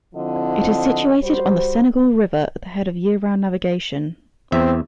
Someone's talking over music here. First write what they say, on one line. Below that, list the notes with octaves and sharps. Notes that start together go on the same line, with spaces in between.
It is situated on the Senegal River at the head of year-round navigation.
D3 F3 C4 E4 D#5
G3 F#4 C5
E2 C4 E5